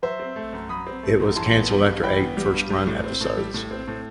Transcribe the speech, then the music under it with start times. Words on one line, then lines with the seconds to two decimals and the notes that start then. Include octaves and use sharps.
It was canceled after eight first-run episodes.
0.02 F#3 C5 E5
0.20 C4
0.36 A3
0.53 F#2
0.69 F#3 B5 D#6
0.87 C4
1.03 A3
1.20 F#2
1.36 E3 A5 C6
1.54 B3
1.70 G3
1.87 G2
2.03 E3 G5 B5
2.20 B3
2.37 G3
2.54 G2
2.70 G3
2.87 A2
3.04 C4
3.21 A2
3.37 G3
3.54 A2
3.71 C4
3.88 A2